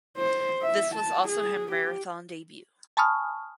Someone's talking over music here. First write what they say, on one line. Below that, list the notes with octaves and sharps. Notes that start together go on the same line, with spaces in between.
This was also her marathon debut.
C5
E5
A5
G#4
G4
G#5 A5 B5 C#6 D#6 F6